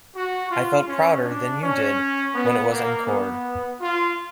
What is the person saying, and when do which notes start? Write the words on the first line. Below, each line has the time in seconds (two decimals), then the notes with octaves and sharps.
I felt prouder than you did when it was encored.
0.16 F#4
0.51 F4
0.88 C#4
1.25 D4
1.62 C#4
2.35 B3
2.72 A#3
3.07 B3
3.81 F4